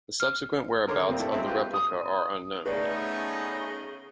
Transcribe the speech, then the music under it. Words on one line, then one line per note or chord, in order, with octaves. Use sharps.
The subsequent whereabouts of the replica are unknown.
F6
D#2 D3 A#4 C#5 C6 D6
F2 C3 A#3 C4 D4
E4 A4
F#3 G#3 C4 C#4 E5
F4 G4 B4
D#6
C#3 A3 B3 C#4 D#4 B4 D5